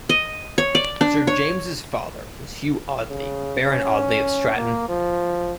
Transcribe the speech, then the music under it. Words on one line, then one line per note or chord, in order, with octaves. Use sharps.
Sir James's father was Hugh Audley Baron Audley of Stratton.
D#5
C#5
D5
D4
C#5
C#3
C#4
A#3
F3